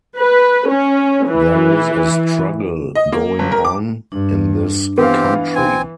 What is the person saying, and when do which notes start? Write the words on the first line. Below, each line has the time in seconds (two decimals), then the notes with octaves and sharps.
There is a struggle going on in this country.
0.18 B4
0.69 C#4
1.29 E3
2.95 D#5
3.12 A#3
3.39 G1
3.52 A#4
3.65 D6
4.12 G2 D4
4.98 E3 B3 C4 G4 F5
5.55 C4 G#5